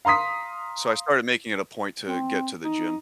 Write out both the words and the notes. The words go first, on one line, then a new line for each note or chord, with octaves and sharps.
So I started making it a point to get to the gym.
F5 A#5 C6 D#6 B6
C4
D#4